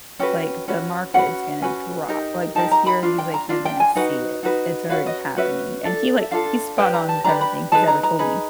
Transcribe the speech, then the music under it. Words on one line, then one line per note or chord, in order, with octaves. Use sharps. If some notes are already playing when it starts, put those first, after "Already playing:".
like, the market is gonna drop," like, this year he's, like, "You're gonna see it, it's already happening," and he, like he's spot on with everything he's ever told me,
C#4 F#4 B4 G5
C#4 F#4 B4
C#4 F#4 B4 F#5
C#4 F#4 B4 G#5
D#4 G4 A#4
D#4 G4 A#4 A5
A#5
B5
D4 F4
G5
A#5
D4 F4
G5
G#5
D#4 F#4 B4 F#5
D#4 F#4 B4
C#4 F#4 B4 F5
D#5
C#4 F#4 B4 E5
D4 F4 A4
E5
D4 F4 A4 F5
D4 G4 B4 G5
A#5
A5
D4 G4 B4 A#5
B5
D#4 G#4 B4 A5
A#5
A#5
D#4 G#4 B4